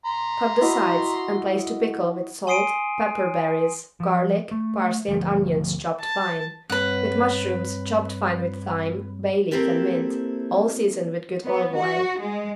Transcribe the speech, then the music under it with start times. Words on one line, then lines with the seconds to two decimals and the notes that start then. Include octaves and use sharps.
Cut the sides and place to pickle with salt, pepper berries, garlic, parsley and onions chopped fine; with mushrooms chopped fine with thyme, bay-leaf and mint, all seasoned with good olive oil.
0.06 A#5 C6
0.61 E4 F#4 D#5
2.47 G#5 C6 D#6 C7 D7 D#7
4.00 F3
4.51 A3
5.08 D2 F3
6.00 A5
6.70 G2 C4 B4 C#5 F#5
9.51 A#3 C4 E4 G4 A4
11.45 B3
11.74 F#4
12.19 G#3